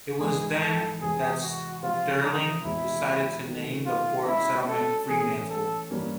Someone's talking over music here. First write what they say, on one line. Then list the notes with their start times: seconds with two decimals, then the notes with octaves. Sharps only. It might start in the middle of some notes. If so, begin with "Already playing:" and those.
It was then that Stirling decided to name the port settlement "Fremantle".
0.20 G#2 E3 G#3 G#4
0.60 A4
1.01 E2 C3 E3 G#3 B3 G#4
1.42 F#4
1.83 C3 F3 G#3 C4 F4
2.23 D#4
2.64 E2 B2 G#3 C4 E4
3.46 D#3 F#3 A3
3.86 F4
4.27 B2 G#3 C#4 E4
4.68 A4
5.08 E3 A3 C#4 G#4
5.50 A4
5.91 G2 E3 G3 A#3 C#4